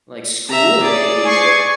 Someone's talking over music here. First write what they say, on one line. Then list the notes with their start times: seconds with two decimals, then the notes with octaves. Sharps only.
Like, school maybe or
0.49 E5 A#5
0.81 G#4 D5
1.24 G#5 C#6 C7